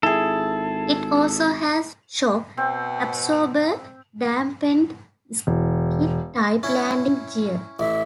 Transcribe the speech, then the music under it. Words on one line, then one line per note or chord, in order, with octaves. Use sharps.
It also has shock absorber-dampened, skid-type landing gear.
G#1 E4 G#4 A4
B2 C4
E1
C#4 E4
A1 E5